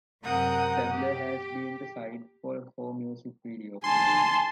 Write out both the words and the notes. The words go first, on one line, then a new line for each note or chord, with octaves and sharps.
Stabler has been the site for four music videos.
F#2 C3 A#4 F#5 D#6 G6
G4
G#5 A5 C6